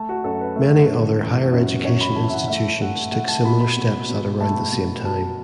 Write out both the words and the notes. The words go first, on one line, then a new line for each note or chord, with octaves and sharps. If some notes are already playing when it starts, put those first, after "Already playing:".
Many other higher education institutions took similar steps at around the same time.
Already playing: A3 A5
F#4
F#2 A4
B4
A3
F#2
E3
F#2
F#2 C#5
B5
E3 A5
E5
F#5
A3 E5
A3 F#5
A3 F#5
A5
B2 B5
B5
B2
B2
A3 A5
B2
F#3 A5